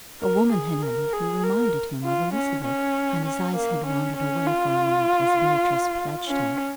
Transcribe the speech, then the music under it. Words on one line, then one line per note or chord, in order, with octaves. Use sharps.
A woman had entered who reminded him of Elizabeth, and his eyes had wandered away for a moment as Beatrice pledged him.
A#4
G#4
A#4
G#4
A#4
F4
C#4
C#4
C#4
A#3
C#4
C#4
F4
C#4